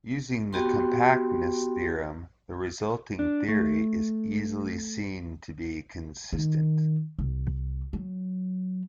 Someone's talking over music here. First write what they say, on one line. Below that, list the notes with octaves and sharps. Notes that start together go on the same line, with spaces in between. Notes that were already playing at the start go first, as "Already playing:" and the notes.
Using the compactness theorem, the resulting theory is easily seen to be consistent.
B3 F#4 G4 G5 C6
D4
A3
D#3
C2
F#3